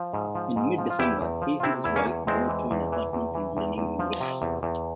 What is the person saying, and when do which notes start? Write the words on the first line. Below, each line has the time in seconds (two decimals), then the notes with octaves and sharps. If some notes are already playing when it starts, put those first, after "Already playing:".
In mid-December he and his wife moved to an apartment in Leningrad.
Already playing: F3
0.13 G#2
0.35 F3
0.56 G#2
0.78 F3
0.90 F4
0.99 E2 E4 G4
1.21 E2
1.42 F3
1.60 F4
1.63 C3 C4 E4
1.84 E2 E4
1.96 A#3 C#4
2.06 E2
2.27 E2 G#3 C4
2.49 E3
2.71 E2
2.92 E3
3.13 E2
3.35 E3
3.57 E2
3.78 E2
3.99 F3
4.20 C3
4.42 E2
4.63 E2